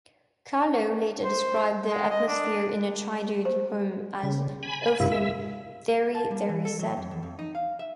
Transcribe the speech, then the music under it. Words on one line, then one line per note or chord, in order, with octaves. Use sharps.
Kahlo later described the atmosphere in her childhood home as often "very, very sad".
C5
G#3
D#5
D4
G4 C5 A#5
C#3
G#5 B5
G2 C3 E4 F#4 F5
E5
A5
G3
E3
A4
F#3
F2
E2
F2
D#4
F5
E5